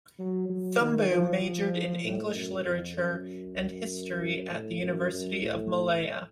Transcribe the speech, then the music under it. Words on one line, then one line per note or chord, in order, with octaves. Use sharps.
Thumboo majored in English literature and history at the University of Malaya.
F#3
F#3
D#3
F3
F3
A2
F#2
F2
F#2
F#2
A2
F#2
F#2
A2